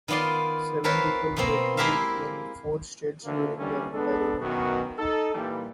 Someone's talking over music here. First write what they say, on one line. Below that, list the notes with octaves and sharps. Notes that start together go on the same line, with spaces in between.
Seven people were killed in four states during the entire event.
D#3 B3 F4 D5 C6
C4 F4 A#4 B4 C#5
B2 A#3 C4
G#3 E4 G4 A#4 E5 F5
D2 D3 A#3
D3 E3 G3 A#3 C#4 D4
G#3 B3 D4 A4
F#2 B2 D#3 B3 F#4
D#4 A4
A#2 E3 G3